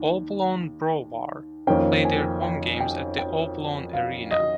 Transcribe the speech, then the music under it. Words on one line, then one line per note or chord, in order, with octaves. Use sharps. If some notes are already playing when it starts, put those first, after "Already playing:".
"Obolon Brovar" play their home games at the Obolon Arena.
Already playing: D#2 D#3
F2 D#3 A#3 C#4 G5
G#5
G5
G5
G5
F5
D#5